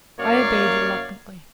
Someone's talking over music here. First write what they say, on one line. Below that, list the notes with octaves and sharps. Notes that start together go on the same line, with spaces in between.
I obeyed reluctantly.
F#2 A#3 C#5 D5 F5